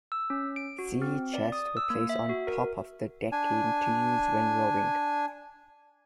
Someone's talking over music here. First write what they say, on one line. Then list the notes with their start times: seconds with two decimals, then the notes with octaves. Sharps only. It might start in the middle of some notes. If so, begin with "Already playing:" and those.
Sea chests were placed on top of the decking to use when rowing.
0.12 E6
0.30 C#4
0.56 D7
0.79 F#4
1.02 C4
1.34 D5
1.52 D#6
1.77 E6
1.90 A#3
2.09 E5
2.29 F#4
2.47 A#4
3.32 D4 G#5